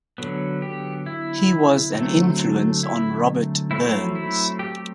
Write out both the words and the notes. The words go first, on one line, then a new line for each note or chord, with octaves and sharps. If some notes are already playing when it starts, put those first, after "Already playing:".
He was an influence on Robert Burns.
D3 F#3 B3
G4
E4
D3 F#3 A3 C4
E4
F#3 A3 C4 E4
E4
G4